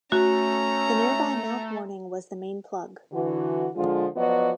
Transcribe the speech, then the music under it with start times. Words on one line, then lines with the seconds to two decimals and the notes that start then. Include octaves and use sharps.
The nearby Mount Warning was the main plug.
0.12 A3 C#4 F#4 A#5
3.12 D3 E3 F#4
3.74 D3 F3 G#3 F4
4.16 F3 F#3 B3 F#4 D5 D#5